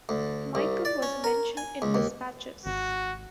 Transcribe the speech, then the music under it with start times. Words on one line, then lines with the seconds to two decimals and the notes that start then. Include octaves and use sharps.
Michael was mentioned in despatches.
0.09 D2
0.55 C2
0.85 D5
1.02 C#4
1.24 A#4
1.57 G#5
1.82 C#2
1.95 D#2
2.66 G#1 F#4